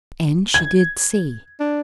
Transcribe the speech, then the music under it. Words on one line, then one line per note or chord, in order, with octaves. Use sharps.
And she did see.
G#6
D4